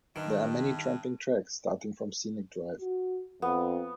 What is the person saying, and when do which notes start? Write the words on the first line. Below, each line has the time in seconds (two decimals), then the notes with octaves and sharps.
There are many tramping tracks starting from Scenic Drive.
0.16 G2 D#3
2.81 F#4
3.42 F2 B3